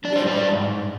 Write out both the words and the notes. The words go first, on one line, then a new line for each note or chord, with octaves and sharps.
Yeah, yeah, yeah.
D4 D5
C5
G3 D5
G#2